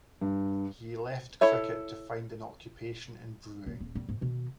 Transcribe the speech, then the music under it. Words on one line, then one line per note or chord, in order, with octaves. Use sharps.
He left cricket to find an occupation in brewing.
G2
E4 A4 C#5 E5
A#1
D#1
A1 G3
G#2
B2 D#3